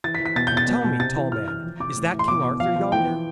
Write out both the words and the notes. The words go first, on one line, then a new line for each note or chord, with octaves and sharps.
'Tell me, tall man, is that King Arthur yonder?'
E3 A6
B6
E3
B6
B2 A6
G6
B2
A6
B2
B2
C3 A6
E3
E3 F6
E3 F6
F3
C3 D6
A2
E3
C6
B2 D6
B2
F3 F5
F3
E3 G5
E3